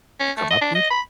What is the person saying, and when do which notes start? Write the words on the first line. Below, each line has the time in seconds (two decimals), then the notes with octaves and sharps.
you come up with?
0.20 C#4
0.37 A3
0.50 D#5
0.62 D4
0.75 D#5
0.91 B5